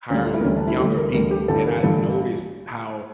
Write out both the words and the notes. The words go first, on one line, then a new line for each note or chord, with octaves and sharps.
hiring younger people, and I noticed how
D2 D3 G3 C#4
F4
E4
A#3
D2 D3 G3 C#4
D4
E4
D2 D3 G3 G4
A#4
D2 D3 G3 A#4
G4
G1 G2 E3 G3 A4
A#4
G1 G2 E3 G3 A4